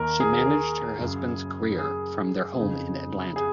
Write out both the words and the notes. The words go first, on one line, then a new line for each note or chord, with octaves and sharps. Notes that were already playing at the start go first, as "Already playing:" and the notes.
She managed her husband's career from their home in Atlanta.
Already playing: D#2 D#3 A#4
G#4
A#4
G#4
F#2 C#3
G#4
F2 C#3
G#4